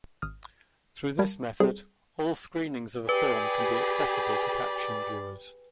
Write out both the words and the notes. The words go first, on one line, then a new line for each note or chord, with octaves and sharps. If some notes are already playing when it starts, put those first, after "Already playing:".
Through this method, all screenings of a film can be accessible to caption viewers.
G#1 D#6 F6
G3 A#4 F5 A5 B5 G#6
G3 C4 E4 G#4 A4 C5
G4 G#4 B4 D5 B5